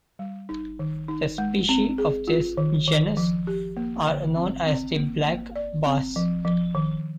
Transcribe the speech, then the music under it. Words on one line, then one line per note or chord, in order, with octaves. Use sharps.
The species of this genus are known as the black bass.
G3
D#4
D#3
D#4
G#3
C4
G#4
F4
D#3
D#3
F3
G4
A#3
D3
C4
C4
A#3
A#3
D5
C4
F3
F3
D#3